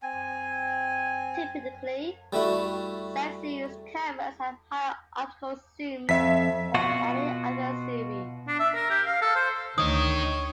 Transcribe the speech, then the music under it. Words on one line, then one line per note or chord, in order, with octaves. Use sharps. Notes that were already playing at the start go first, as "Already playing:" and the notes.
Typically, Z-Series cameras have higher optical zooms than any other series.
C4 G#5
G3 A3 E4 F#4
F2 E5 B6
B2 F4 F#4
D4
E5
A#4
G4
F5
A4
C5
D2 D#3 D#4 C#5 D#6